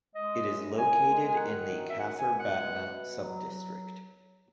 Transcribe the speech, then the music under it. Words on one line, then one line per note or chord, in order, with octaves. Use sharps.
It is located in the Kafr Batna subdistrict.
G#3 D#5
F#2
D#3 G#5
G#3
G#5
D#3 F#5
F#2
E5
D#3 F#5
G#5
G#3
F#5
B2
B2
F#3
F#3